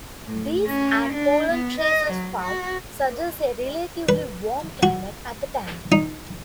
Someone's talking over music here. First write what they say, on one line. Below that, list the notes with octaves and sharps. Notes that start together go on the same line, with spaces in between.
This, and pollen traces found, suggests a relatively warm climate at the time.
A2
C#4
D4
B3
D#5
F#3
F#4
B4
F#4
D#4